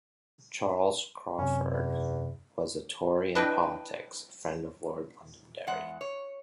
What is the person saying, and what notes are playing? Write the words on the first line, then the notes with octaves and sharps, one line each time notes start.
Charles Craufurd was a Tory in politics, friend of Lord Londonderry.
F#2 C3 C#4
E2
D4 E4 B4 D#5 G5
E2 G#3 F#5
C#5